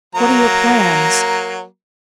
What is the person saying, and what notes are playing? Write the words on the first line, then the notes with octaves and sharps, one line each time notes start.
What are your plans?
F#3 A#3 A#5